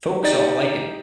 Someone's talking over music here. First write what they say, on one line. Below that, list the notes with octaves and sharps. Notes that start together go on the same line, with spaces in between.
Folks all like it.
D#4 G4 D5 A6